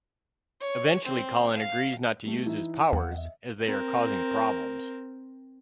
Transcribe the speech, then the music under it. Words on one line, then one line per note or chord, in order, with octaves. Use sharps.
Eventually Colin agrees not to use his powers, as they are causing problems.
C#5
C4
F5
G3 A3
E3 D#4 E4
E2 F5 F#5
D#5 E5
C4 A#4